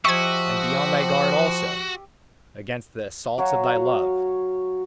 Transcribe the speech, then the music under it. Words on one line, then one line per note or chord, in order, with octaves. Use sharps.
And be on thy guard, also, against the assaults of thy love!
F3 F#4 G4 D#5 E5 C#6 G#6
F#3 F#4 C#5 F5